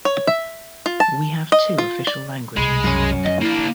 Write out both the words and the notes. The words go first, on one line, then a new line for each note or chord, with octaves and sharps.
We have two official languages.
C#5
E5
F4
A5
D#5
F4
D5
C2 B2 G#3 B5
F#2 C#4
F3 D#5
A#3 D4 E4
D3